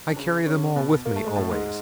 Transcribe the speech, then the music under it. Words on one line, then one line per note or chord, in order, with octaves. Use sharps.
I carry them all with me always.
D4
C#3 C#4
C#3 C#4
B2 B3
A#3
A3
G#3
A2 A3
G#2 G#3